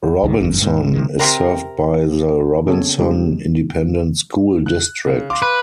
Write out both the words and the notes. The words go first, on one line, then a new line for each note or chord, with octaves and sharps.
Robinson is served by the Robinson Independent School District.
C#2 D#3
G1 F#2
G#2
C3 D#3 G#3
C3 F#3 C4 A#4
C#3 B3 C4 G#4 A4 C#5
C#3 F3 G3 G#3 D#4 G4
F#6
C#3
F5 C6 D6
B4